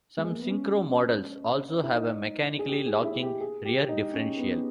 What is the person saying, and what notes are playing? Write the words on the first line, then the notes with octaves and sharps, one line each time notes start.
Some syncro models also have a mechanically locking rear differential.
G#3
A#3
B3
C#4
E4
D#4
G#4
G4
G#4
E4
G4
G#4
G4
D#4
C#4
B3